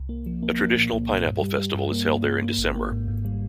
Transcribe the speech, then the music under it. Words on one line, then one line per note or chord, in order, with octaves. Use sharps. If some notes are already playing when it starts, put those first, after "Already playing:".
A traditional Pineapple Festival is held there in December.
Already playing: C2
A#3
F3
A#3
A#3
A#2
C2
A#2
G2
G3
G3
G2
A#3
G2
G2
A#3
G#1
A#3
G#2
G#2
G3